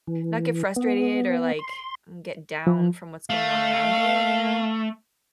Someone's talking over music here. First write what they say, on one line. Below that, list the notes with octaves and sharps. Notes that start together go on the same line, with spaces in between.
not get frustrated or, like, get down from what's going on around you, you know?
E3
B3
C6
F3
A3 F5